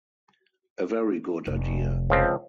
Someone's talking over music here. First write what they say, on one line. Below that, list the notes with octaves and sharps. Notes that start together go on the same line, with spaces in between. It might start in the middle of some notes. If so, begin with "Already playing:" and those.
A very good idea!
F1
C#2 F3 C4